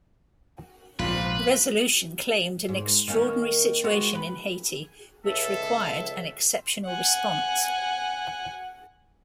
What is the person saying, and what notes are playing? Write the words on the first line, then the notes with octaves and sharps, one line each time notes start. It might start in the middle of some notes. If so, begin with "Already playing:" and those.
The resolution claimed an extraordinary situation in Haiti, which required an exceptional response.
A#1 G#2 C3 F4 B4
G#2
D#3 A#3 C#4
G#3 B3 F#4
B4
C#2 A4 E5
F#5 G#5